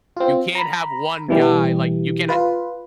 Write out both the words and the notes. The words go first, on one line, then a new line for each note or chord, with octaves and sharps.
You can't have one guy, like, you can ha
C4 F4
A#5 B5
B2 E3 G3
F4 B4